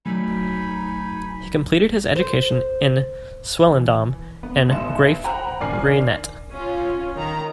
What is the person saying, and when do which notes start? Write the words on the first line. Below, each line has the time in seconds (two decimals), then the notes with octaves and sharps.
He completed his education in Swellendam and Graaff-Reinet.
0.06 F#3 A3 D#4 G#5 B5
2.16 C5
3.70 E3
4.43 B3
4.69 A1 B3 D#4 C6 C#7 E7
5.24 C5 F#5 G5 A#5 B5
5.60 A#1 D#3 D5 G#5 F6 C7
6.50 C#4 F4
7.16 D#3 A#5